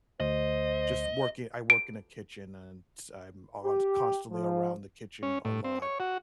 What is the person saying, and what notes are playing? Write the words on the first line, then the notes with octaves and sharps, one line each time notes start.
just work i I work in a kitchen and s I'm ont constantly around the kitchen a lot
D2 C5 D#5
D7
G4
F3
C#4
A2
C4
C#5
F#4